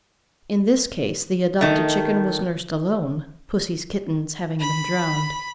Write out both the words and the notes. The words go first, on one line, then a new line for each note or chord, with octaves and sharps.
In this case the adopted chicken was nursed alone, pussy's kittens having been drowned.
D#3 A3
B5